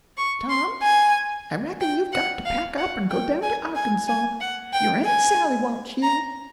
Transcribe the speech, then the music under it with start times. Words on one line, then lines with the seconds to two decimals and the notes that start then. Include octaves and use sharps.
"Tom, I reckon you've got to pack up and go down to Arkansaw--your aunt Sally wants you."
0.17 C#6
0.50 C6
0.83 G#5
1.81 G5
2.13 F#5
2.46 F5
2.78 F#5
3.10 G5
3.42 G#5
3.75 G#5
4.08 G#5
4.41 F#5
4.73 G5
5.06 G#5
6.02 A#5